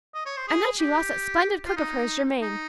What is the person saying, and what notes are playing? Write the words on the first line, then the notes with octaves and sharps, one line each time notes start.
And then she lost that splendid cook of hers, Germaine.
D#5
C#5
C5
G#4
G4
F4
D#4
D#4